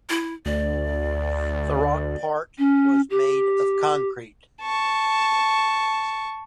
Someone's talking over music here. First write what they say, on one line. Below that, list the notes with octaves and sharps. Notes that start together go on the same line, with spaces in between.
The rock part was made of concrete.
E4
D2 D5
C#4
G4
A5 C#6